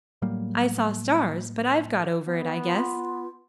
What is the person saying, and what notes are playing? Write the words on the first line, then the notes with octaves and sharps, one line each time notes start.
I saw stars, but I've got over it, I guess.
A2 F#3 G3 A#3
B3
F4